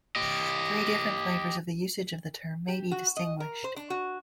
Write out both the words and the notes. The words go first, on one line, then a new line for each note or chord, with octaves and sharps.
Three different flavors of the usage of the term may be distinguished.
G4 D#5
G4
F#4
D#5
A#4
C5
D4
F#4